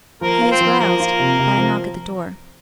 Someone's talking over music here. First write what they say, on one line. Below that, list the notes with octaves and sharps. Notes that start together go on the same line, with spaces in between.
He is roused by a knock at the door.
F3 A#3 A#4
F4
C4 C5
F3
F3 A#3 A#4
F4
C3
C3
F3